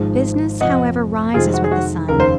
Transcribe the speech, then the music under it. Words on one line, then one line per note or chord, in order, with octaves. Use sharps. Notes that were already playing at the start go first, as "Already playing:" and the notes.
Business, however, rises with the sun.
Already playing: G#1 G#2 F3 G#3
F2 C3 F3 C4 D#5 F#5
F2 C3 D#3 G#3 C4 F4 G#4
F#4
G#4
F#4
F1 D#2 C#3 A#4
C5